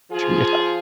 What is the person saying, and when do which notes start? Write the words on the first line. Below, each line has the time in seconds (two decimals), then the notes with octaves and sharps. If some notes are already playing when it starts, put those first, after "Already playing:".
Treat yourself.
0.11 F3 F4 G#4